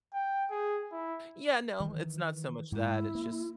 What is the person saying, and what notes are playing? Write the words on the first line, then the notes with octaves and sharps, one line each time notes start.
Yeah, no. It's not so much that. It's just
G5
G#4
E4
D#3 E3
G#2 E4
A#3